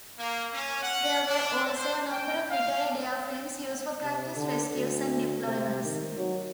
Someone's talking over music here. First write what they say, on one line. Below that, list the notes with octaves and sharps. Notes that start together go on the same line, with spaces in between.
There were also a number of retired airframes used for practice rescues and deployments.
A#3
C#4
F#5
D4
C5
G5
F5
C3
D3
D2
C3
D#3
F#3